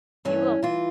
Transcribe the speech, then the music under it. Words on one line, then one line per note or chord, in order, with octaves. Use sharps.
You will.
G2 E3 C#4
E3 F4